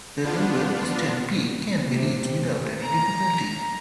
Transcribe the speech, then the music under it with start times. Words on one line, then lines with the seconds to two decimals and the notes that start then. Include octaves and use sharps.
The lower, eastern, peak can be reached without any difficulty.
0.24 B3 D4 F4
1.86 C3
2.83 A#5